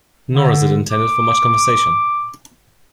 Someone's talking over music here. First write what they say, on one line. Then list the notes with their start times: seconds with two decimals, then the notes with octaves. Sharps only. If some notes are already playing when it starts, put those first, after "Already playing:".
Nor is it intended for much conversation.
0.32 D3
0.92 D6